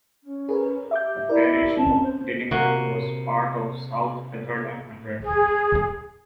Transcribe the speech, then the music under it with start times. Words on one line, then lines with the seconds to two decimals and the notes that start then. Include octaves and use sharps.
The parish of Dinnington was part of the South Petherton Hundred.
0.24 C#4
0.49 G#4 A#4 B4
0.91 G4 E5 D6 G6
1.29 E4 A#4 D5
1.77 C4 C#4 A5
2.03 C5
2.51 C3 A#3 F#4
5.22 G#4